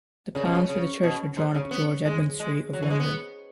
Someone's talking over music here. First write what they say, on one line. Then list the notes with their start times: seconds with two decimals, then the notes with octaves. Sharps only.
The plans for the church were drawn up George Edmund Street of London.
0.35 C#3
0.45 B2
0.55 C#3
0.69 C#3
1.03 B2
1.37 G#2
1.54 C#3
1.71 B3
2.05 G#3
2.40 G#3
2.73 F#3
2.82 E3
2.90 G#3
3.00 B3